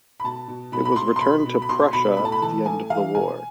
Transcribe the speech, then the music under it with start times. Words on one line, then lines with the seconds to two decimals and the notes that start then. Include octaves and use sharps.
It was returned to Prussia at the end of the war.
0.20 B5
0.24 B2 A5
0.48 B2
0.72 B2 B5
0.85 B5
0.96 B2 C6
1.16 C6
1.21 B2 B5
1.45 B2
1.62 B5
1.69 B2 C6
1.93 B2 B5
2.17 A2 B5
2.25 A5
2.32 B5
2.42 E3 A5
2.65 A2 G#5
2.90 E3 F5
3.14 B2 G#5